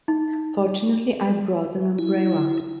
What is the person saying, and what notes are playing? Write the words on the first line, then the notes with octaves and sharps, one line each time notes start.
Fortunately I brought an umbrella.
D#4
E4